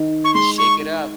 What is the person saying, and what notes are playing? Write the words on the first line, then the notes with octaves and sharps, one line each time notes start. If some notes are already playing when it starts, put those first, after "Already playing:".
Shake it up.
Already playing: D#3 D#4
C#6
G#3 C6
C#6
D#4